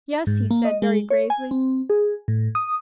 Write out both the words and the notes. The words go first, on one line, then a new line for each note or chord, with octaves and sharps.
"Yes," he said, very gravely.
G#2
A#3
D#5
G#3
C#5
G#5
C4
G#4
A2
D#6